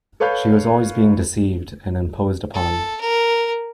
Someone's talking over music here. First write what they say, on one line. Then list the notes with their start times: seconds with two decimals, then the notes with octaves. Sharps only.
She was always being deceived and imposed upon.
0.20 A4 B4 C#5 F5 B5 G6
2.54 A4
3.01 A#4